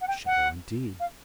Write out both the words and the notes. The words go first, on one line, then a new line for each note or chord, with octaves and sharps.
A shadow indeed!
F#5
G5
F#5
F5